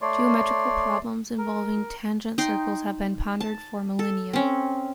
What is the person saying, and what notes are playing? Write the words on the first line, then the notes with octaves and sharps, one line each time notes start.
Geometrical problems involving tangent circles have been pondered for millennia.
A3 C#5 D5 C6
A#4
D#4 G5 C6
A5
A4
C4 C#4